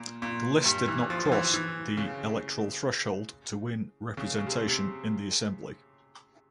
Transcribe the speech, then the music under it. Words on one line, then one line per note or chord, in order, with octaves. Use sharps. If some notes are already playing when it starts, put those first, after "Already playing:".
The list did not cross the electoral threshold to win representation in the assembly.
Already playing: A#2
A#2
G2
E3
F3
F3
E3
E3
C#3
C#3
C#3
C3
C3